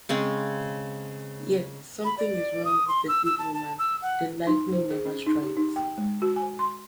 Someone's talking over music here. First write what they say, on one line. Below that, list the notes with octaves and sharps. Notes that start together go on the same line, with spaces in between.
Yet something is wrong with "A Good Woman": The lightning never strikes.
C#3 G#3 C4 C#4
B5
D5
D#6
C6
E6
E6
A5
A5
E6
F#5
D#4
C5
G#4
C#4
D#4
G4
D#4
G5
G#3
F#4
G#5
C6